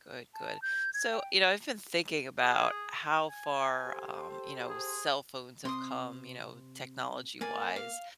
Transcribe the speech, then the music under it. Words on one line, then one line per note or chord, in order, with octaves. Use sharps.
Good, good. So, you know, I've been thinking about how far, um, you know, cell phones have come, you know, technology-wise.
A5
G6
G#6
G5
G#4
G#5
G4 A4 C5
G#4
C3 C6 D#6
A#3 D5 G#5
F5